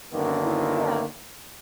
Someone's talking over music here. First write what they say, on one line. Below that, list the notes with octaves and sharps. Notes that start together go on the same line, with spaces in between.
Mhm, yeah.
F#2 D3 D#3 A#3 B3